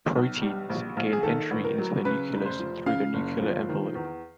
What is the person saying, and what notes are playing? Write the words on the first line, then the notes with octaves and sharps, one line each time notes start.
Proteins gain entry into the nucleus through the nuclear envelope.
B1
G3
A#1
A#1
G#4
D#3 A4
A1
A#4
F#3
C#3 B4
F1
C5
F3
C#3 F5
F#1
F3
D#3
E2